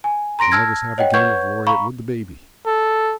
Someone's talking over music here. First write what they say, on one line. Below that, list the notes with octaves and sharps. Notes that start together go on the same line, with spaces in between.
Then let us have a game of loriot with the baby!
G#5
A#5 C6 A#6 D7
A5 E6 F6 G#6 A#6
C#5 D#5 F#5 G5
B4 C#5 F#5 C#6 G6 G#6
F5 A#5 B5 C#6
A4